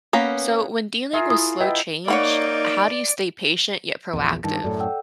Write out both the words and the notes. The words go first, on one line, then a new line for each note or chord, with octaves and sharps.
So, when dealing with slow change, how do you stay patient yet proactive?
A#3 B3 C#4
F4 G#4 A#4 E5
E4 D#6
E4 B4 D#5 E5 F#5 G5
A#3 D#4 C#5 D5 F#5 B5
A#1 E2
G2 D#3 A5
F#2 A2 A4 D5
F#5 G5 E6